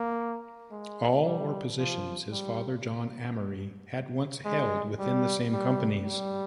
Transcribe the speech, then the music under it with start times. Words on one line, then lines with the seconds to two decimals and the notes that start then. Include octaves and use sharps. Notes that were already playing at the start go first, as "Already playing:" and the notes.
All were positions his father, John Amory, had once held within the same companies.
Already playing: A#3
0.71 G#3
1.25 G3
1.78 F3
2.31 G3
4.45 G#3
4.99 G3
5.52 G3
6.05 G3